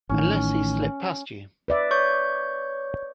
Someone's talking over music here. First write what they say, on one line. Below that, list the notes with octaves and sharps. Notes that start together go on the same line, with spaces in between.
Unless he's slipped past you.
A1 A2 D#3 C#4
B4 D5 E5
C#5 C#6 G6